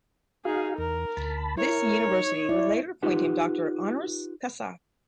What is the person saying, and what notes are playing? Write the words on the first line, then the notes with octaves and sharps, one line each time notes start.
This university would later appoint him doctor honoris causa.
D#4 F#4 G#4 F5
E2 A#4
D2 A5 B5
E4 A#4 C#5
D#4
E4 D5
D#4 F4 G4 B4 F#5